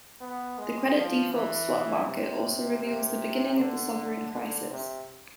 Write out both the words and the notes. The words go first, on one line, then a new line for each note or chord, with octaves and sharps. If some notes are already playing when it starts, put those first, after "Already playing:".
The Credit default swap market also reveals the beginning of the sovereign crisis.
B3
G#3
F3
E3
C3
C3
D3
D3
C3